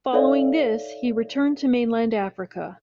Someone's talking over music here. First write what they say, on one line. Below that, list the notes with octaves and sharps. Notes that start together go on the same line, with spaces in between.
Following this he returned to mainland Africa.
D#4 A4 C#5 D5 E5 F5